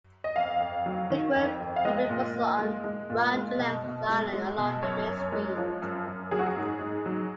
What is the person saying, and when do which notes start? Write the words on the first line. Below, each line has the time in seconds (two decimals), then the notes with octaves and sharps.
Frequent public buses run the length of the island along the main street.
0.24 D#5
0.36 F2 F5
0.61 F2
0.86 F#3
1.10 D#3
1.36 F2
1.60 F2
1.76 F5
1.85 G#3 D#5
2.10 A#2
2.35 A#2
2.59 G#3
2.84 G#3
3.10 A#2
3.34 G#3
3.59 B2
3.84 B2
4.09 G#3
4.33 G#3
4.58 B2
4.83 F#2 C#5
5.07 F#2
5.32 G#3
5.57 F3
5.82 F#2
6.07 F#2
6.31 F#3 G#4
6.39 F#4
6.46 G#4
6.56 G#2
6.81 G#2
7.06 F#3